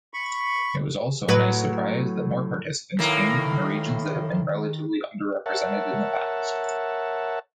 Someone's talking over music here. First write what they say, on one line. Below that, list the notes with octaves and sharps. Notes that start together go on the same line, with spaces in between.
It was also a nice surprise that more participants came from the regions that have been relatively under-represented in the past.
B5 C#6
A2 F#3 B4
A2 D#3 A#3 B4
A#4 C#5 E5 F#5 A5